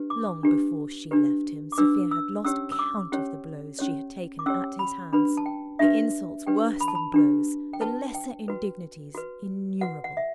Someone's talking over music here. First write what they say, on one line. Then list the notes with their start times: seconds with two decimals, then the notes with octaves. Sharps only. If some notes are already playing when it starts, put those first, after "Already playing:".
Long before she left him Sofia had lost count of the blows she had taken at his hands, the insults worse than blows, the lesser indignities innumerable.
Already playing: D4 G4 B4
0.10 D6
0.43 D4 G4 B4
1.11 D4 G4 B4
1.72 D6
1.78 D4 G4 B4 E6
2.11 E6
2.44 C#4 G4 C#5 E6
2.72 E6
2.79 D6
3.12 C#4 G4 C#5
3.79 C#4 G4 C#5
4.39 D6
4.46 C#4 G4 C#5 E6
4.79 B5
5.13 D4 G4 B4 B5
5.37 A5
5.46 G5
5.79 D4 G4 B4 E5
6.47 D4 G4 B4 G5
6.81 B5
6.88 A5
6.95 B5
7.14 D4 G4 B4
7.73 G5
7.81 F#4 B4 A5
8.15 G5
8.48 F#4 B4
9.15 F#4 B4
9.81 F#4 B4 F#5
10.04 F#5
10.17 E5